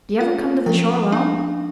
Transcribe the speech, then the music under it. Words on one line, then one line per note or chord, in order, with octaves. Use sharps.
"Do you ever come to the shore alone?"
F4 F5
F3 G5
D4 F5